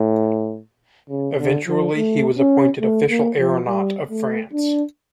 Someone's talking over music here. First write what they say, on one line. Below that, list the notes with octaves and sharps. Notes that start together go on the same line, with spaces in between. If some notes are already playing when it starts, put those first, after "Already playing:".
Eventually he was appointed Official Aeronaut of France.
Already playing: A2
C#3
D3
F3
A3
C#4
A3
A#3
F3
G3
A3
D4